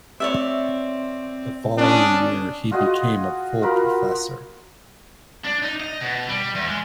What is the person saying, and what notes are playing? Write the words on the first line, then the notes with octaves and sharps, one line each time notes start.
The following year he became a full professor.
C4 C#5 D5 E5
C#4 D4 D#6
F4 F#4 G#4 D#5
F4 F#4 A#4 B5
D4
D#4
D#5
B2
G3
E2
G#3